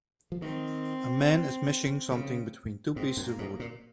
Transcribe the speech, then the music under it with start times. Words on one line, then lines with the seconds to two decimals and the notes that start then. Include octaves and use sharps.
A man is mashing something between two pieces of wood.
0.32 F3
0.42 D#3 C4
2.11 C#3
2.96 G#2 C4
3.17 F#2
3.24 A#3
3.39 G#2
3.60 A#2